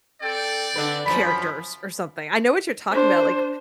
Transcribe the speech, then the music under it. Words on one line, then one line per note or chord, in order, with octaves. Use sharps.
characters or something, I know what you're talking about, like,
C4 A4 D5 G5
D3 D4 B4
F#2 F3 B5
D4 C5